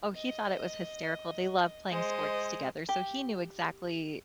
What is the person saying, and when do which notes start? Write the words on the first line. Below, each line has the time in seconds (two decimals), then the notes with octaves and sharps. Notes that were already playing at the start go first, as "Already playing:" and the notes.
Oh, he thought it was hysterical, they love playing sports together, so he knew exactly
0.14 D#5
1.91 G#3 C5 D#5
2.89 G4